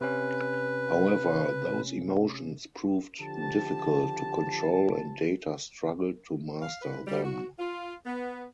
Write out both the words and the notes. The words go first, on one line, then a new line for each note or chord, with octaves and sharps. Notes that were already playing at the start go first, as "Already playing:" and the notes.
However, those emotions proved difficult to control and Data struggled to master them.
C3 C#4 B4
D3 F3 G4 A5
F5
B4
G3
F#4
F4
B3